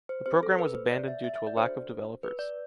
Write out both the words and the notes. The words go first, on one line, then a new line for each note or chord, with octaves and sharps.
The program was abandoned due to a lack of developers.
C5
C4 G4 C5
A4
B4
C5
D5
E5
E5
E5
D5
D4 F#4 A4 C5
B4
D5